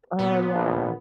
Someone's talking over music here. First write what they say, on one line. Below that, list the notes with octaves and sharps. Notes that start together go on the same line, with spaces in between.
Oh, yeah.
A#2 B3
A#1